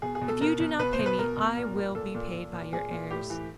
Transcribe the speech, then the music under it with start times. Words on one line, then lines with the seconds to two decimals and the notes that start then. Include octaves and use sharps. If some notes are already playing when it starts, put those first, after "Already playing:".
'If you do not pay me I will be paid by your heirs.'
0.02 B2 G#4
0.15 G#4
0.21 B2
0.28 A4
0.41 B2 A#4
0.60 B2
0.79 B2 B4
0.93 C5
0.99 B2
1.06 B4
1.18 B2 A#4
1.37 B2
1.57 A#2
1.76 A#2
1.95 A#2 A4
2.15 A#2
2.33 A#2
2.52 A#2
2.72 A#2 G#4
2.91 A#2
3.10 A2 G4
3.30 E3